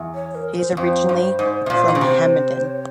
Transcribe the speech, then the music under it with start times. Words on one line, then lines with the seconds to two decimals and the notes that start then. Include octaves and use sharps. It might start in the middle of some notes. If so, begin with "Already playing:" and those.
He is originally from Hamadan.
Already playing: E2
0.15 C#5
0.35 A#4
0.56 C5
0.77 F2 C5
1.09 G2
1.39 G#2
1.66 C3
1.70 A#2
1.88 E3
1.95 C#3
2.01 C3 C5
2.64 C#5